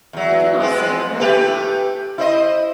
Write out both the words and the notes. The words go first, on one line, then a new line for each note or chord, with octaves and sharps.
I cannot say that I have.
E2 F#3
G#3 B3 C4
A3 G4 B4
E4 C5 D#5